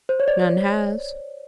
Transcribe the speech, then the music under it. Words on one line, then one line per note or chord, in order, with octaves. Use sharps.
"None has."
C5
C#5
D5